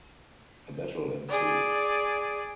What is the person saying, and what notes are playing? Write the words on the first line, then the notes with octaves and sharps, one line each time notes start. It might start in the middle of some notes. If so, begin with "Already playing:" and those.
A battle ensued.
G#4 D5